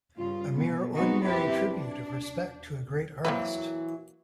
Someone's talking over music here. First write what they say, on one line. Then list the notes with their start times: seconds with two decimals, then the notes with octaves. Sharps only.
A mere ordinary tribute of respect to a great artist.
0.19 G2 C#3 F4
0.52 B2 B3
0.95 G#3 B3 C4 D#4 F#4
1.24 F#2 C4 E4 G4 B4
1.68 D4
3.25 E3 F#3 A#3 C4 B4